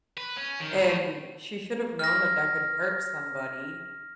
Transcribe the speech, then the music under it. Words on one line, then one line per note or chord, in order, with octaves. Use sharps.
And she should’ve known that that could hurt somebody,
B4
C#4
D#3
A2
F6 A#6